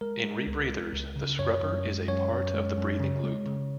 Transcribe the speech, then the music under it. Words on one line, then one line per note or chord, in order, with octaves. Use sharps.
In rebreathers the scrubber is a part of the breathing loop.
G#3 A#4
G#3
C#2
G#3
C#2
C#3
F#2 C#5
F#2
G#3
F#2 C#5
F#2
G#3
F#2
C#3
G#3
C#3